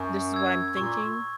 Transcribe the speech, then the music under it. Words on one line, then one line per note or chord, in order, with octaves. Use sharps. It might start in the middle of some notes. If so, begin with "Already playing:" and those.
"This is what I'm thinking."
Already playing: F#2 C#6
E6 G#6
A#2 C#6